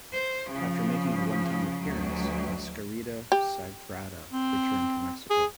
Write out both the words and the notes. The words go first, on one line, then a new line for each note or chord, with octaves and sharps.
After making a onetime appearance Mascarita Sagrada returned to Mexico.
C5
C#3 F3
D2 F#3
G4
C4
G#4